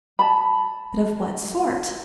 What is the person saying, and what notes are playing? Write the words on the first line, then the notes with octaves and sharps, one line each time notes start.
"But of what sort?"
A5 B5